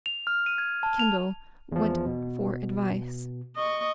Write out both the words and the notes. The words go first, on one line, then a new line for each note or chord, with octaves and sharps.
Kendall went for advice.
F7
F6
D#7
G#6
A5
F7
E2 F3
B2
D#5 C#6